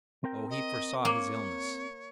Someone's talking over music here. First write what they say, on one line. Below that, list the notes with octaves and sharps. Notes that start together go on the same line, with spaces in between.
Oh, he foresaw his illness!
C4 A#4 G5
D#5
A#3 C#5